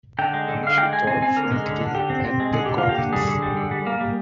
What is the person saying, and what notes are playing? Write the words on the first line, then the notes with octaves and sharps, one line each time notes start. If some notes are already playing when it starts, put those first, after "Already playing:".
Then she tore frantically at the cords.
D3 G5
G#3
D3
D3 F5
G#3 G5
G#3 G#5
C4 G#5
C4 G#5
D3 A#4
G#3
D3
D3
D3 G4
C4
C4
G#3
D3 G#4
D3 G4
F4
A#3
G4
D3
G3 G#4
D3
G3
D3
G3
A#3
G3